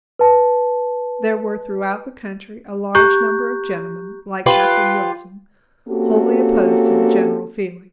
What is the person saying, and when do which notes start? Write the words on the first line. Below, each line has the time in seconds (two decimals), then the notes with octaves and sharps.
There were throughout the country a large number of gentlemen, like Captain Wilson, wholly opposed to the general feeling.
0.19 B4 A5
2.95 G4 A#5 C#6 F#6 G6
4.46 F4 G4 B4
5.88 A#3 C4 C#4 F#4 G4 A4